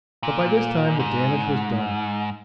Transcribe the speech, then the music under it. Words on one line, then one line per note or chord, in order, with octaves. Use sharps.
But by this time the damage was done.
A#2
G#2